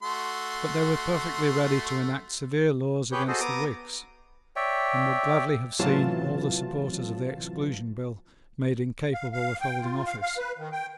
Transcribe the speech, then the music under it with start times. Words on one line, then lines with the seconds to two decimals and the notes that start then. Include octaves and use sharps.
But they were perfectly ready to enact severe laws against the Whigs, and would gladly have seen all the supporters of the Exclusion Bill made incapable of holding office.
0.02 A3 F#4 C6
3.12 G4 G#4 B4 C#5 G6
3.28 F#4 G#4 A4 C5 D#5
3.40 B3 A#5 D6 D#6
4.56 C#5 D5 E5 G5
5.79 A1 C3 E3 F#3 F4 A5
9.14 F5
9.33 F5
9.61 G5
9.82 F4
10.06 F5
10.22 F5
10.37 B4
10.58 D#3
10.72 G5